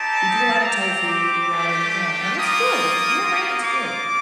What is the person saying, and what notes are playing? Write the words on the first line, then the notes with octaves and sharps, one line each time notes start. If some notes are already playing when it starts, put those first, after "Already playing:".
we do a lot of tofu, we do a lot of, you know and it's good if you do it right, it's good,
Already playing: C4 D#4 G4 A5
C4 G4 A#5
D6
A3 D4 G4
A#3 F4 D#6
A#3 F4
D6